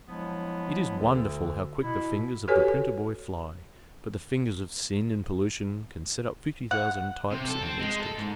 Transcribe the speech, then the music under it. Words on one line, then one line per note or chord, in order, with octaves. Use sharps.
It is wonderful how quick the fingers of the printer-boy fly, but the fingers of sin and pollution can set up fifty thousand types in an instant.
F3 F#3 G#3 B3 D4 E4
D2 D3
B2 E4
F#4 G4 A4 B4 C#5 G#5
F#5
C3
A4
C4
G#3
A4
G#2